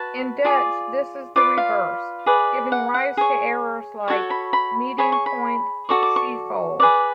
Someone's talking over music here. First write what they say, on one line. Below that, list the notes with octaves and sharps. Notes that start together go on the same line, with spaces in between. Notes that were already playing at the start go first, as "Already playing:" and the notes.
In Dutch this is the reverse, giving rise to errors like "Meeting Point Schiphol".
Already playing: F#4 B4 A5
F4 G#4 D5
F4 B4 D5 D6
F5
G#4 B4 D5
F#5
F#5
G#4 C#5
F#4 A4 C#5 A5
B5
B5
G#4 C#5 B5
C#6
B5
F#4 A4 D5 C#6
D6
C#6
G#4 B4 D5 D6